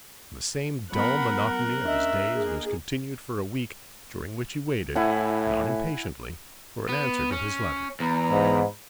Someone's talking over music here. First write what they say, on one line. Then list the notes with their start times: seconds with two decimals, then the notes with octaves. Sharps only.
And the same dull monotony of his days was continued for a week, during which he waited, not impatiently, for an answer to his letter.
0.92 F#3 B3 A#4 F#5 B5 F#6
1.85 C#4 D4 D#5 E5
2.35 A#3 G#4
4.95 A2 E4 F#5 G#5
6.89 B3
7.32 C#4
8.00 E2 A#5 B5
8.30 G#2